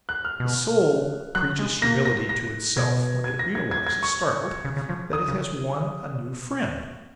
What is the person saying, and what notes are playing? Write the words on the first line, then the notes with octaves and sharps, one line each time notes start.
The soul preaches humility to itself when it realizes, startled, that it has won a new friend.
F#6
F6
B2
F#3 F#6
G#3
A#3 A#6
A#6
A#6
B2 G#6
G#6
A#6
G#6
G#6
G#6
C#6
C#3
C#3
F3
D#6
C#3